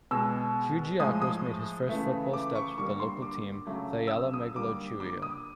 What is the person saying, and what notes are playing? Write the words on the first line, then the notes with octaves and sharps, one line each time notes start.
Kyrgiakos made his first football steps with a local team, Thyella Megalochoriou.
B2 G#3 E6
A2 F3 G#3 D#6
D#6
C#3 E3 A3
D6
C#6
D3 G3 A#3 C#6
C6
D6
C#3 F#3 A3
E6
D#6
D#6
D3 G3 A#3 D6
D6
D#6